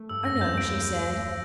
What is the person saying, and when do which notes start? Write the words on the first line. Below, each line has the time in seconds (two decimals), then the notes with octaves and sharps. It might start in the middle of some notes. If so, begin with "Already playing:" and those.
"Oh no," she said.
Already playing: A3
0.09 G2 G3 E6
0.25 F#2 F#3 A#6
0.41 D#2 D#3 G6
0.58 D7